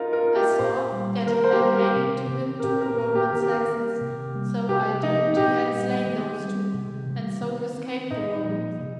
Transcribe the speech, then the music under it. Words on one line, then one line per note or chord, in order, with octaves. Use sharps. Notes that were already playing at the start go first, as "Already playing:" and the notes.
I saw that he had hanging to him two Roman saxes, so I deemed he had slain those two, and so escaped the Romans.
Already playing: D#4 F4 A#4
A#4
C4
G4
A#2 C5
G3 A#3
D#3 A#4
C5
G4
G3 A#3 A#4
G4
C3
D#3 C4
A#4
A#2 G4
A#4
A#3 A#4
G4
D#3 A#4
G4
A#4
A#3
C3
G3 A#3
C3 G4
F3 A#3 D#4
A#2 G4
G3 A#3
D#3
G3 C4
C3
D#3 G3
D#3
C4
A#2 D#4
F3 A#3
C3